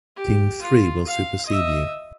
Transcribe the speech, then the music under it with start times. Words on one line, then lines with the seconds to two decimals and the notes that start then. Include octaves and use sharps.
Team three will supersede you.
0.17 G4
0.62 F4
1.07 F5
1.46 D#5 E5